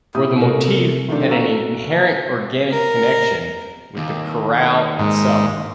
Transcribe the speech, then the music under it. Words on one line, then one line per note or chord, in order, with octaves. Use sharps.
For the motif had an inherent organic connection with the chorale itself.
A#2 E4 G4 E5 D#6
C3 A3 F#4 A4 A#4
D#3 F3 A3 C4 D4
F#4 A4 F5 A#5
A#4
D#2
G#2